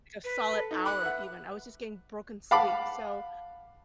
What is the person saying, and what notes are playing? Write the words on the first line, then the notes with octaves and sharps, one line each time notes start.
a solid hour, even. I was just getting broken sleep. So
B4
A4
D#4 A4
B5 D6 F#6
B4 E5 F#5
F5 F#5 A5 B5 D6